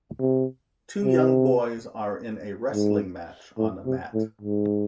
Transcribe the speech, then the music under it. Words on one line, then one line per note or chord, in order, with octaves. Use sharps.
Two young boys are in a wrestling match, on a mat.
C3
C3
G#2
A2
C3
A2
G#2